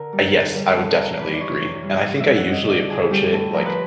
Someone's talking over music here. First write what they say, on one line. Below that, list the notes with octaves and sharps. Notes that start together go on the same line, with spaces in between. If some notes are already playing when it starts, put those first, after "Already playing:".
a yes, I would definitely agree. And I think I usually approach it, like,
Already playing: D3 A#4
G3
D3
G3
G3 A4
C3 A#4
E3 B4
D5
E3 C#5
C3
G3
G3
E5
G3
F#5
G3 D#5
D3 D5
D3 G#4
G3 G4
A2 A4
F3 A#4
B4